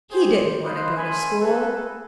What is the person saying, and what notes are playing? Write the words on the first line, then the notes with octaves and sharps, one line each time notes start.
He didn't want to go to school.
G4 G#4 C5
B4 C5 D#5 F5 B5 C6
A3 C#4 G#5 B5 C6
F#4 G#4 A4 B4